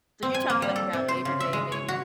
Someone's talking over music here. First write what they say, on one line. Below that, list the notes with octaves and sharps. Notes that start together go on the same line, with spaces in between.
So you're talking. like, around Labor Day maybe?
C4
G#5
A#3
G3
A4
C3
C5
C#3
E5
G#3
C#5
F#4